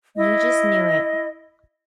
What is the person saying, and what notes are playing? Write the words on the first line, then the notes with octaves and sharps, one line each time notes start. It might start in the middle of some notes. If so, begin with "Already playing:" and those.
You just knew it.
E4 D#5